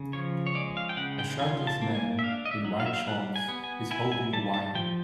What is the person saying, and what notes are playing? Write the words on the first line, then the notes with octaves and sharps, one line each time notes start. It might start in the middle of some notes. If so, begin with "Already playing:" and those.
A shirtless man in white shorts is holding a wire.
Already playing: C#3
F3 C#5
C#5
G#3 D5
F5
G5
C#3 F#5
G5
F4 G#5
A5
A#3
G#5
E5
D4 F5
D#5
E5
F#3
F5
E5
F5
G3 F#5
G#5
B3
G#5
E4 G#5
G#5
G3 A5
A5
F3 G5